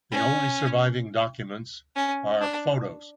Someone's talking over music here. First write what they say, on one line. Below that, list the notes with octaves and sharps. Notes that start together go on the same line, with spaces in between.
The only surviving documents are photos.
C#4
C#4
D4